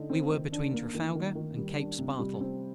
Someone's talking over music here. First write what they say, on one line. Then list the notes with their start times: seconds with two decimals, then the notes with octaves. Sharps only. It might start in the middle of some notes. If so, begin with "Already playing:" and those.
We were between Trafalgar and Cape Spartel.
Already playing: D3 D#4
0.10 C4
0.31 D#3
0.52 D4
0.73 A#3
0.94 D#3
1.15 D#3
1.35 D#3
1.57 G3
1.78 D4
1.99 C3
2.19 G3
2.41 C4